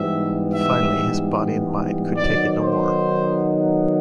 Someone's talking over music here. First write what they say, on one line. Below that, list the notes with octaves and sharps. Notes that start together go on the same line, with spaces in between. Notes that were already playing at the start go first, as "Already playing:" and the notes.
Finally, his body and mind could take it no more.
Already playing: G#2 E3 G3 B3 E5
E5
D#3 F#3 B3 D#4 D5
C5